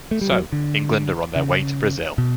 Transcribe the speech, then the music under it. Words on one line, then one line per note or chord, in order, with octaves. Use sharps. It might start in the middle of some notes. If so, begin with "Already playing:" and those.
So, England are on their way to Brazil.
A3
G3
F#3
D3
C#3
B2